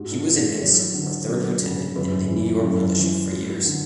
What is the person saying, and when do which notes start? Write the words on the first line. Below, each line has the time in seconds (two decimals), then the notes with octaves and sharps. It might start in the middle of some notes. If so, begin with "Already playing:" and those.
He was an ensign or third lieutenant in the New York militia for years.
Already playing: G#2 F#4
0.10 D4
0.27 E3 G#4
0.44 A4
0.61 F#3 C#5
0.94 D3
1.29 F#3
1.62 C#3
1.96 F#2 B4
2.29 E3
2.63 F#2
2.97 E3
3.31 F#3
3.65 D3